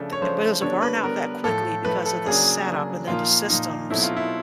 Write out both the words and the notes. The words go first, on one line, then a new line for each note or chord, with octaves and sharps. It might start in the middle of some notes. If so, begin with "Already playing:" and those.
Bu but it was a burnout that quickly because of the setup and then the systems
Already playing: C#3 F3 A3 D4
C#5
C#3 F3 A3 D4 C5
D3 G3 B3 D4 C#5
B4
D3 G3 B3 D4 A#4
A2 F3 A3 A4
A2 F3 A3 B4
A4
C#3 F#3 A#3 D4 G#4
C#3 F#3 A#3 D4
A#2 F3 A#3 D#4 F4
A#2 F3 A#3 D#4
B2 F#3 A3 C4 D#4 E4
F4
E4